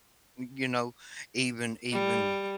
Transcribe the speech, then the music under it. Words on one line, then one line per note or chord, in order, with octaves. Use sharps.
y you know, even even
G3